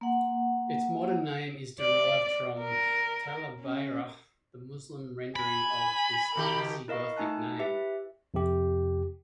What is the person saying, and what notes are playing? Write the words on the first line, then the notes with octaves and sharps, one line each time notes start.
Its modern name is derived from "Talabayra", the Muslim rendering of this Visigothic name.
A#3 F#5
D5
A#4
C#4
G#5 B5
B2 D#3 G4 A#4
E4 A#4 D#5 F5 C#6
A3 D#4 G#5 A5 F#6
E4 G4 B4 E5
F2 C3 G4